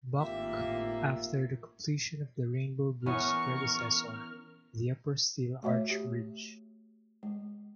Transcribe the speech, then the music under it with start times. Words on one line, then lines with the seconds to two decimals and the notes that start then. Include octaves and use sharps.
Buck, after the completion of the Rainbow Bridge's predecessor, the Upper Steel Arch Bridge.
0.17 G#1 A2 A#3 F4 G4 E5
3.06 E3 B3 C#4 A#4 C#6 F6
5.63 A3 F#4 C#5 E5
5.90 G4
7.23 G#3